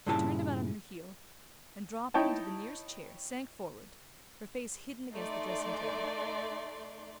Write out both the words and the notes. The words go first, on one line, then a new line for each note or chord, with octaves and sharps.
She turned about on her heel and, dropping into the nearest chair, sank forward, her face hidden against the dressing-table.
G2 A#2 C#3 E4 F4 A5
D#4 E4 C#5 G5 A5
A3 D#4 D5 C6